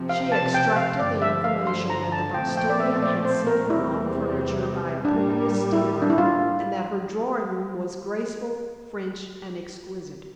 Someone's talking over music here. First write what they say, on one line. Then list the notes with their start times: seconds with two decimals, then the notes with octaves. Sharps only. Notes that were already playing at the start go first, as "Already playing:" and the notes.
She extracted the information that the Bostonian had sent her own furniture by a previous steamer and that her drawing room was graceful, French, and exquisite.
Already playing: C3 F3 C4
0.09 F5
0.32 A5
0.54 G5
0.76 F5
0.99 G2 D3 F3 D5
1.22 E5
1.44 F5
1.67 C6
1.90 A#5
2.12 A5
2.34 A#2 F3 A3 C4 G5
2.57 G5
2.70 D5
2.80 E5
2.96 C5
3.03 D5
3.25 C5
3.47 A#4
3.70 E2 C3 G3 C4 E4
5.05 A2 G3 A#3 D4
5.73 E4
6.02 D4
6.10 E4
6.18 F4